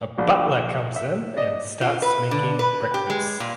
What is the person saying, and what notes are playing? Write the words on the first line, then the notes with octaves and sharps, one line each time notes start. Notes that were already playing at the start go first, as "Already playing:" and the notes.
A butler comes in and starts making breakfast.
A#1 D4 F#4
E5
D5 D#5
F4
B4
D3
B4
G4
G#3
A#2